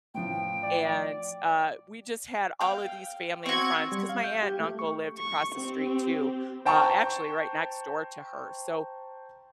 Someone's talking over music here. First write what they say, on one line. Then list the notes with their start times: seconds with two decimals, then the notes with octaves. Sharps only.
and, uh, we just had all of these family and friends, 'cause my aunt and uncle lived across the street too, uh, actually right next door to her, so
0.14 A1 F3 G5
0.63 D5
2.61 F5 G5
3.46 C4 F#4 C#6 G#6
3.92 G3
4.09 F5
4.24 G6
4.43 G4
4.60 A3
4.79 C#6
5.19 C#6
5.56 C4 G4
6.65 C5 G5 A5 A#5 C#6